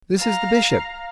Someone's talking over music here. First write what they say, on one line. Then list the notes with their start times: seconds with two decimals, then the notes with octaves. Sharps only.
This is the Bishop.
0.19 F5 A#5